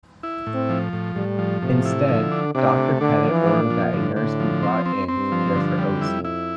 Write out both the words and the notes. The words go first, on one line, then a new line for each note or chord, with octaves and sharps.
Instead, Doctor Pettit ordered that a nurse be brought in to care for Ocey.
E4
A2
C4
F3
A2
A2 G3
F3
A2 C3
E4
D3 F3
D4
C3 D4
A3
D3 D4
F3
E3
D4
A#2
F3
A2 D3
D3
F3
C4
C4
C4
G2
F3
G2
D3
F2 G3
E4
E4